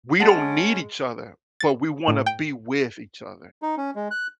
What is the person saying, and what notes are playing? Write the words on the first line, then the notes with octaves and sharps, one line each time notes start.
we don't need each other, but we wanna be with each other
G#3 C#4 F#5 A5 A6
A6
A2
G5
D#4
C#4
G#3
F#6